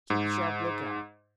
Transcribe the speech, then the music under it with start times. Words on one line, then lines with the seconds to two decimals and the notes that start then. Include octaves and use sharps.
Keep a sharp lookout.
0.10 G#2